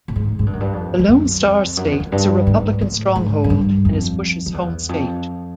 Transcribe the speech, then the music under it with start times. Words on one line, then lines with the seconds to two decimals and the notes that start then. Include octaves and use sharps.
The Lone Star State is a Republican stronghold and is Bush's home state.
0.08 A2
0.16 G#2
0.39 G#2
0.46 G2
0.53 F#2
0.60 G2
0.73 F2
0.99 F2
1.08 F#2
1.43 F2
1.77 F#2
1.85 F2
1.92 E2
2.00 F2
2.12 G2
2.47 G#2
2.81 A2
3.16 G#2
3.44 F#2
3.50 G2
3.85 F2
4.46 F2
4.54 E2
4.89 F2